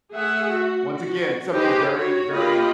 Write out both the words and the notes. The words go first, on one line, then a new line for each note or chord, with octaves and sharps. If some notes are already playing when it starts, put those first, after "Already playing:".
once again, something very, very
A3 G#4 E5 F#5
F#4
F#4
D#4 G4 G#4 B4 C5 D#5
F#4 C#5
A#3 F4 G4 D#5 B5